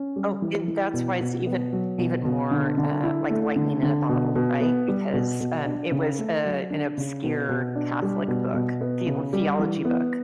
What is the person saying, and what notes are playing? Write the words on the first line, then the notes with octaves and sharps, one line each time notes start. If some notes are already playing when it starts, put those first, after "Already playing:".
Oh, and that's why it's even even more, uh, like lightning in a bottle. Right? Because, um, it was, uh, an obscure Catholic book, theo theology book,
Already playing: C#4
G3
E3
E3
B2
B2
B3
F#3
B2
B2
D3
D3
E4
A3
D3
D3
B2
B2
B3
G3
B2
B2
D4
C#3
A3
F#3
D4
C#3
B2
B2
D4
G3
B2
B2
B3
C#3
G3
E3
B3